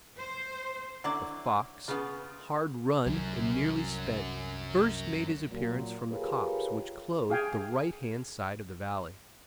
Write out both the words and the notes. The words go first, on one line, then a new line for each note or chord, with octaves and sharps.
The fox, hard run, and nearly spent, first made his appearance from the copse which clothed the right-hand side of the valley.
C5
D3 F#3 E4 D5
C#3 B3 F4
C2 F#2 F#3
A#2 F#3
F4 G4 G#4 A#4 B4 C#5
G#4 F5 G5 G#5